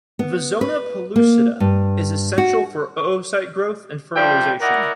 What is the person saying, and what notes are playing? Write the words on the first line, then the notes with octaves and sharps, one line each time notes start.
The zona pellucida is essential for oocyte growth and fertilization.
B3
B4
A#3
G2
F#4
A2 F3 G3 D4 F4 G5
E4 A#4 D5 D#5 F#5